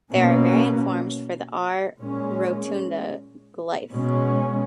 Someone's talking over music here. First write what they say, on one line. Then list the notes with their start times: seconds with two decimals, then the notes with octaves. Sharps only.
There are variant forms for the "r rotunda" glyph.
0.12 B2 A#3 C#4
2.01 A#2 G#3 C#4
3.91 B2 G#3 C#4